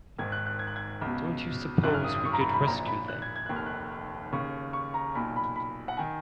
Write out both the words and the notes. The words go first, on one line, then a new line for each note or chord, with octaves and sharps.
Don't you suppose we could rescue them?
G#1 G#2 D#3 G#6
F#6
F#6
G#6
F#6
G#6
C#2 B2
G#1 F#2 C#3 F#6
F6
D#6
D#6
C#6
A#5
B5
B5
A#1 A#2 A#5
B5
F#6
G#6
G#6
F1 D#2 D#3 F#6
F6
F#6
D#2 C#3 C#6
C#6
A#5
B1 A#2 B5
B5
B5
F#5
D#3 G#5